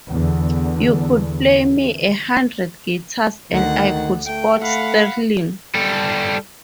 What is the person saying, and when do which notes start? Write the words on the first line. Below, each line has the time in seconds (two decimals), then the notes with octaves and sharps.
You could play me a hundred guitars, and I could spot Sterling.
0.11 E2 D3
3.51 D2 D#3 F#5
4.26 A3 G5
4.62 F5 F#5 B5
5.74 G3 A4